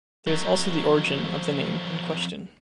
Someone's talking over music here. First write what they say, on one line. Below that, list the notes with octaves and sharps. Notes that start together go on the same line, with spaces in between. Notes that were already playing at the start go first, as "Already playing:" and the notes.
This is also the origin of the name in question.
F2 F#3